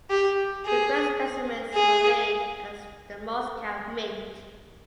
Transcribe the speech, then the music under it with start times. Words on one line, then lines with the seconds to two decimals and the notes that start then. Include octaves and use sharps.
The first specimens were made at the Moscow Mint.
0.10 G4
0.66 G#4
1.74 G#4